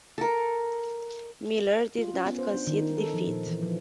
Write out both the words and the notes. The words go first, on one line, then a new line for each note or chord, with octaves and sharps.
Miller did not concede defeat.
A4 A#4
F4
C#4
B3
C5
D4
D#3
D#4
A4
F3
A#2
E3
F3